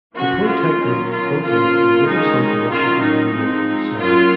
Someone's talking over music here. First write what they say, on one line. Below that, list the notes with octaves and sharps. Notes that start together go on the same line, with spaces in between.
The prototype, named "Fulton", was later sold to Russia, and renamed "Som".
F3 A#3 C#4 F#4
F4
D#3 F#3 C#4
F4
F3 A#3 C#4 F4
D#3 G#3 C#4 D#4
D#3 F#3 C#4 F4
D#4
F3 G#3 C4
F#3 A#3 C#4 F4